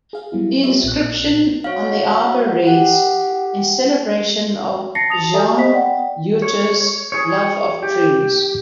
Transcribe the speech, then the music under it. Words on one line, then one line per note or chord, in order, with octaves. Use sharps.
The inscription on the arbor reads "In Celebration of Jeanne Yeutter's Love of Trees".
G#4 F5
F#3 G3 B3 E4
F4 G4 B4 C#5 D5 E5
A#1 A#2 F#6
F#3 C#5 F5
G4 F#5
A5 A6 A#6 C7 C#7
A5 D#6 A6 F7
G4 A4 E5 G#5 A#5 D#6
G4 C5 D#5 B6
D5 F#5 G5
C#5
G#4 C#5
G4